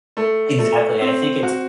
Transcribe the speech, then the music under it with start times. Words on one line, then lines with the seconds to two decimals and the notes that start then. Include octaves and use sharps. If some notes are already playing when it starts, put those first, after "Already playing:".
Exactly, I think it's
0.17 A3
0.59 A3
1.01 C4
1.43 F#4